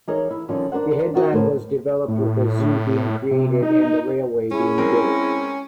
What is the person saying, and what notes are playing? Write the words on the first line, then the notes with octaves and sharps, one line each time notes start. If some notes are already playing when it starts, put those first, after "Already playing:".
The headland was developed, with a zoo being created and the railway being built.
E3 D#4 G#4 A#4 C#5 D#5
E4
F2 D3 D#3 G3 C#4 F4
D4 A#4 C5 F#5
D#4 F4 F#4 A#4 C5 D#5
A2 D#3 A#4 C5
A2
C3
D#4
C#4 E4 G#4
G#3 C4 A#4